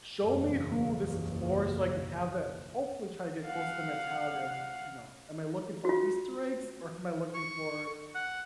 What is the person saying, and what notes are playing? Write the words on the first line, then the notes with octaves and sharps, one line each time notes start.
Show me who this is for, so I could have that" Hopefully try to get close to the mentality of, you know, "Am I looking for Easter eggs or am I looking for
F#1 B1 E2
F5 F#5
F4 F#4
C#6
F#5